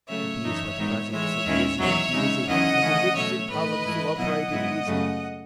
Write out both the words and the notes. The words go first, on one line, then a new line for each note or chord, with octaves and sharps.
The bees went buzzing, so busy and beesy, And the midges in columns so upright and easy.
C#3 F#3 A3 C#5 E5
F#2 E3 A3 D#4
G#2 D#3 G#3 B3 D#4
A2 E3 G#3 C#5 E5
D#2 D#3 G#3 C#4 E4
E2 D#3 F#3 C#5 E5
C#3 G#3 D#4
E2 D#3 F#3 C#4 E4 D#5 F#5
C#3 E3 A3 C#4
B2 F#3 A3 C#5 E5
A2 E3 A3 B4 D#5
G#2 E3 A3 E4
B2 F#3 B3 E4 D#5 F#5
G#2 F#3 B3 E4
F#2 C#3 F#3 A3